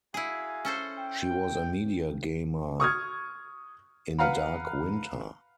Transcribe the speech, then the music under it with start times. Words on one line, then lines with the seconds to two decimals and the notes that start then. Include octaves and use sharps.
She was a media gamer in "Dark Winter".
0.14 E4 F#4 G#4 F5 G#5
0.65 C#4 A4 C5
0.98 G5
2.80 C#6 D#6 F6 G#6
4.19 B4 F5 F#5 A#5 B5